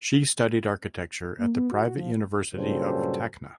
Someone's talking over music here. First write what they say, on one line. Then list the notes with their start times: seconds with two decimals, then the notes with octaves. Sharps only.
She studied architecture at the Private University of Tacna.
1.38 A#3
1.54 B3
1.72 F#4
1.84 F#4
1.97 F3
2.55 G2 A#2 C#3 F#3 A4 C5